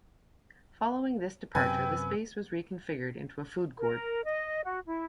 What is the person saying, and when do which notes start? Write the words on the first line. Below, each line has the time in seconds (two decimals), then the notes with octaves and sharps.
Following this departure, the space was reconfigured into a food court.
1.55 F#2 C3 B3 B4 G5 G#5 E6
3.79 A#4
4.24 D#5
4.64 F#4
4.85 E4